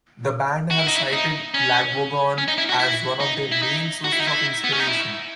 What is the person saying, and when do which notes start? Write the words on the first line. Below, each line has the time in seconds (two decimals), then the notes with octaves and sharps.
The band have cited Lagwagon as one of their main sources of inspiration.
0.71 F#4
0.79 E4
0.87 D#4
0.95 E4
1.13 D#4
1.54 C#4
2.38 C#4
2.48 D#4
2.58 E4
2.69 F#4
2.80 E4
3.20 D#4
3.52 E4
3.62 D#4
4.04 F#4
4.12 E4
4.20 D#4
4.27 E4
4.64 B3
4.72 C#4
4.79 D#4
4.87 E4